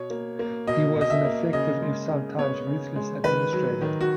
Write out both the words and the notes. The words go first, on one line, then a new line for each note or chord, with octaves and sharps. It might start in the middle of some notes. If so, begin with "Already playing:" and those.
He was an effective, if sometimes ruthless, administrator.
Already playing: B2 C#5
A#3
A#3
B2 D#5
B2
D#5
E5
A#3
C#3 D#5
G#3
C#3
B3 C#5
C#3
G#3
D#3 B4
F#3
D#3
F#4